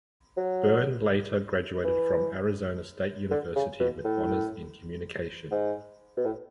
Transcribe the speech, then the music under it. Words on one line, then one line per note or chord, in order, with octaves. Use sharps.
Byrne later graduated from Arizona State University with Honors in Communication.
F#3
E3
D3
C#3
B2
A2
G#2
B2
A2